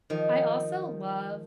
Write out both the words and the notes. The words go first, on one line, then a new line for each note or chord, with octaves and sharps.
I also love,
D#3 F3